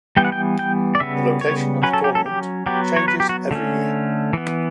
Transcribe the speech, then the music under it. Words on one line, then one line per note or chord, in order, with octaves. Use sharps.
The location of the tournament changes every year.
E3 G3 B3 G5
F#5
G5
G5
D5
C#3 G3 B3 E5
C#5
F#3 C#4 B4
A4
G4
A4
G4
F#3 B3 G4
C#5
B4
G4
F#4
D3 A3 C#4
E3 B3